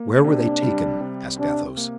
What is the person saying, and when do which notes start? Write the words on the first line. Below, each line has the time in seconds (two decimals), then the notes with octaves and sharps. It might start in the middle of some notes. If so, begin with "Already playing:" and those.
"Where were they taken?" asked Athos.
Already playing: A#3
0.24 C3 D4
0.62 G3
1.01 C3
1.39 C3 D4
1.77 A#3